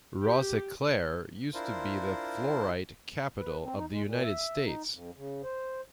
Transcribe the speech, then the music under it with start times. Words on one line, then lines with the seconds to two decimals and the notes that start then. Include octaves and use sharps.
Rosiclare used to be the fluorite capital of the United States.
0.23 G4
1.54 D4 E4 F4 A#4 C5
3.38 B4
3.64 C4
3.77 D#4
3.91 G#3
4.03 A#2
4.22 E5
4.65 D#4
4.92 F2
5.17 C#3
5.43 C5